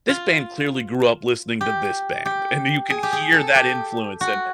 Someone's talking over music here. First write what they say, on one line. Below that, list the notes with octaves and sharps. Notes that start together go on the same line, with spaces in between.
this band clearly grew up listening to this band," and you can hear that influence in it.
F4
G4
G4
G#4
G4
G#4
A4
G4
F#4